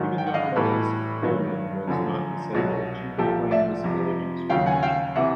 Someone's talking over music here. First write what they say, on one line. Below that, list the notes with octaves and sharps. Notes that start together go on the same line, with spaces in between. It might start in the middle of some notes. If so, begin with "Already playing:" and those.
Even though Ms Coleman was not disabled, she could claim disability discrimination.
Already playing: G#2 D#3 F#3
G5
F#5
D#5 F5
C5
A2 E3 G3 A4 B4
G2 D#3 F#3
F#2 D3 F3
C2 B2 F#3
C2 A#2 F3 G4 A4
D5 E5
F2 C3 F3
D#2 C#3 F#3 F5 G5
F#5 G#5
F5 G5
C3 E3 E5 F#5